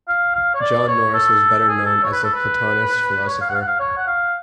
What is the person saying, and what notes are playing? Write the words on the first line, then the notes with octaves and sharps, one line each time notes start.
John Norris was better known as a Platonist philosopher.
F5
F5
C#5
D5
C#5
A4
G#4
A4
C#5
B4
A4
B4
C#5
F5
F#5
F5
F#5
F5
C#5
F#5
F5